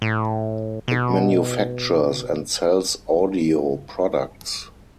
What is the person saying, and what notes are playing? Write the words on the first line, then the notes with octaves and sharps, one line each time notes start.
It manufactures and sells audio products.
A2
B2